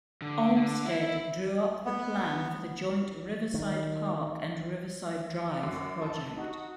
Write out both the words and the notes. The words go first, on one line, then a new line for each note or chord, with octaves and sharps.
Olmsted drew up the plan for the joint Riverside Park and Riverside Drive project.
D3
D3
E4
B3
D#3
F#2 F#4 D6
A4 A5
D#4 F#4